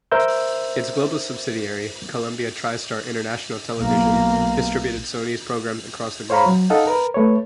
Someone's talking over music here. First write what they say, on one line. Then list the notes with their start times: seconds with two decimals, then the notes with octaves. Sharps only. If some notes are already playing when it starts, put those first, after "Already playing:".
Its global subsidiary, Columbia TriStar International Television, distributed Sony's programs across the globe.
0.12 A#4 C5 E5 E6 G6
3.78 B1 A#3
6.30 C5 C#5 F5 A#5 B5
6.46 F#3
6.70 D#4 A4 D#5 F5 F#5
6.87 A#4 B4
7.14 A3 B4 C#5